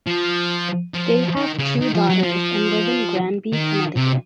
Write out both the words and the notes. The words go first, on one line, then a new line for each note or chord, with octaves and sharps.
They have two daughters and live in Granby, Connecticut.
F3
F3
D#3
C#3
D#3
F3
F#3
F3
D#3
C3